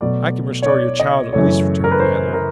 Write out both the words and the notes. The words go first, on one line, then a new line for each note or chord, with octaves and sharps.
"I can restore your child at least," returned the other.
B2 F#3 A3 D5
C#5
D5
D#5
F#2 C#3 E3 A3 C#5
A#4
B4
C5
A#4